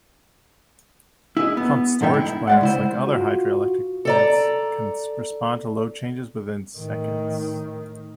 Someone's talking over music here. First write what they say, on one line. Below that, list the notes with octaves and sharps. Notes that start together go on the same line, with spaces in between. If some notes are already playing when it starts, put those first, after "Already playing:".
Pumped storage plants, like other hydroelectric plants, can respond to load changes within seconds.
E4 G#4 D#5
B3
E2 G#2 D3 D#4 E5 G5
E4
G#3 D5 F#5
C#2 E4 C5
F4 F#4
A4 D5 A#5
A2 D#3